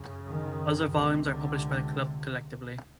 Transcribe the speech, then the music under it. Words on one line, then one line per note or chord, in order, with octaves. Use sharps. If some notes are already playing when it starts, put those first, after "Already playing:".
Other volumes are published by the Club collectively.
Already playing: F#2 C#3
D#3
C#2 C3 D#3
D3